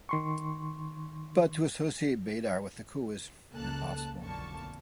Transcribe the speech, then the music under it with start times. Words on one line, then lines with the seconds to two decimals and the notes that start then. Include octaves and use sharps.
But to associate Baydar with the coup is impossible.
0.09 D#3 C6 C#6
3.53 C#2 C#3 A#3 A4 A5 F#6
4.21 B1 F2 D3 A#3 A5 C#6